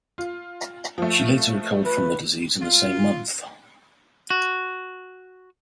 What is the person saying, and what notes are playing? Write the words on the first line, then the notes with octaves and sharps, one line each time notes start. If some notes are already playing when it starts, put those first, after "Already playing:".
She later recovered from the disease in the same month.
F4
F3 A3
B4
F4
F#4